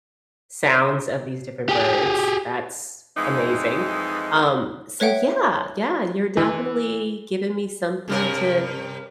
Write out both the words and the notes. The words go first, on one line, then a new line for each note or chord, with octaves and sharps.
sounds of these different birds, that's amazing. Um, so yeah, yeah, you're definitely giving me something to
G4 G#4
F2 E3 G#3 D#4
B4 C#5 E5 F#5 G5
E3
G2 C3 A#4